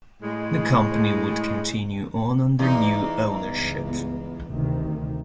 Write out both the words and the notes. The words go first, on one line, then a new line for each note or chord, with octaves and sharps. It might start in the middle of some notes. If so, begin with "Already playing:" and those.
The company would continue on under new ownership.
A2 G#3
E2 D#4
C#2 G2 B3
D2 C3 D#3